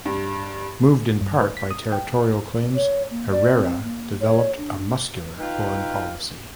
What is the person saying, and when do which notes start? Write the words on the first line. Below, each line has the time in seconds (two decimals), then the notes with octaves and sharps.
Moved in part by territorial claims, Herrera developed a muscular foreign policy.
0.05 G2
1.21 G2
1.41 B4
1.57 B6
1.71 D#6
1.92 G5
2.74 C#5
3.10 A#3
3.31 D5
3.52 C4
3.83 A#3
4.20 C#5
4.57 D4
5.39 D#4 F4 B4 G5